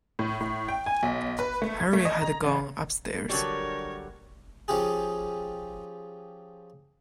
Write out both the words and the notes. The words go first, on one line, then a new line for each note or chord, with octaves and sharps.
Harry had gone upstairs.
A2
A2
G5
G#5
B1
B4
A3
G#6
A3
D#5
A#5
A1
D3 F#3 G3 A#4 C#5
F3 C#4 F4 G4 G#4